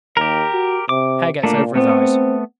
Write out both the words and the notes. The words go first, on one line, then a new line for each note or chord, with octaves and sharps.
Hair gets over his eyes.
D#2 G4 A#4
F#4
C3 D6
A#2 A3 A#3 D4
A3 B3 C4